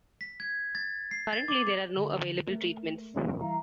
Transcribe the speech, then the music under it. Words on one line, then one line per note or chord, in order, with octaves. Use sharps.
Currently there are no available treatments.
B6
G#6
A6
C7
A6
D6
D3
A3 A#4
E3 G3 E4 E5 F5 A#5